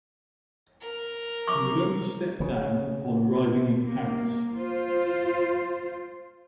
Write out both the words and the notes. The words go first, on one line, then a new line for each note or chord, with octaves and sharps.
He would only step down upon arriving in Paris.
A#4
C#6 D6
C#3
A#3
F4 C5